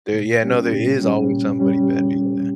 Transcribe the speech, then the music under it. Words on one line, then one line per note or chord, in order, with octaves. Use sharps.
There yeah, no, there is always somebody better, yeah.
A#2
G3 C#4 G4
A#2
G3 C#4 G4
A#2
G3 C#4 G4